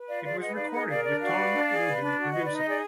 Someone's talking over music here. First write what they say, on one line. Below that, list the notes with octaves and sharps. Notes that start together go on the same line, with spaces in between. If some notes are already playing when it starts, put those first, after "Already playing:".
It was recorded with Tom Lubin producing.
Already playing: B4
F4 D5 F5
G#4 D5 F5
B4 D#5 F#5
D#4 D5 F5
G#4 D#5 F#5
A#4 D5 F5
D4 D5
F#4 D5 F5
B4
D4
G#4
B4
D4
F#4
B4 D#5
D5
D#4
D#5
G#4 D5